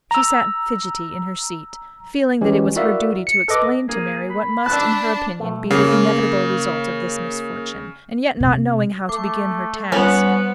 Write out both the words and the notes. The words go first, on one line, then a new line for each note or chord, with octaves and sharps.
She sat fidgety in her seat, feeling that it was her duty to explain to Mary what must, in her opinion, be the inevitable result of this misfortune, and yet not knowing how to begin her task.
A#5 E6
E3 G#3 C#4 G4
E4 F#4 A#4 D5 E5 F5
C#7
A4 B4 D#5 D6
A#3 G#4
B5
D4 A5 E6 F#6
B1 A3
C#3 A#3
C3
A3 D6
G3 B3 C#4